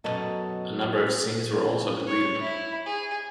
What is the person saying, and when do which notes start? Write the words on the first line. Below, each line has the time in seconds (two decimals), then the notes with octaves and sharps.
A number of scenes were also deleted.
0.04 F#2 B2 F#3 A4 D#5 A5
2.06 C#5
2.41 E4
2.86 G#4